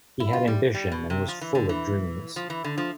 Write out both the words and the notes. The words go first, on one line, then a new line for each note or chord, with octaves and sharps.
He had ambition and was full of dreams.
E4
F4
G3
G3
B2
C3
F3
E3
D3
E3
F3
E3
D3
F3